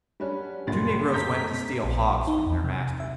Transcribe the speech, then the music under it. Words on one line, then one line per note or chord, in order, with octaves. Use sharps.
Two negroes went to steal hogs from their masters.
F#3 G3 C#4 D4 B4
G1 C#2 F#2 A#2 D#3 C5 C6 A6
A3 A#5 G6 B6
A#1
D#4
E2
C3
E5